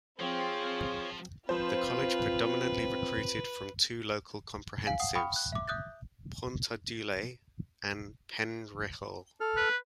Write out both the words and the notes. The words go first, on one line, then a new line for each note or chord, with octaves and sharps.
The College predominantly recruited from two local comprehensives: Pontarddulais and Penyrheol.
F3 C4 F4 G#4 C#5
F3 C4 F4 B4 C5
F5 G#5 F#7
F#5 D#6
F5 G5 B5 C#6 D#6 F6
F#6
E5 D6
E5 D#6 F#6 G6 A6
A4 F6
B4